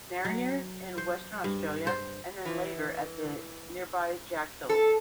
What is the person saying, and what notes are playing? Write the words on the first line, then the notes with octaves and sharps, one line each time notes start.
Narryer in Western Australia and then later at the nearby Jack Hills.
F#3
C5
G2
C5
E3
A4